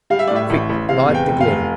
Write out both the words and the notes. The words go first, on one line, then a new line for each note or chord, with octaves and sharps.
Quick, light the glim!
G3 F5
E5
D5
A2 E5
A1
A1
C3 F5
E2
G5
F1
F5
F1